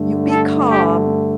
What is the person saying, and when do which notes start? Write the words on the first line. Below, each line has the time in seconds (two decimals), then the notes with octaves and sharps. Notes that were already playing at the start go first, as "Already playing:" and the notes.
you be calm,
Already playing: G2 D3 A3
0.29 A4
0.69 G4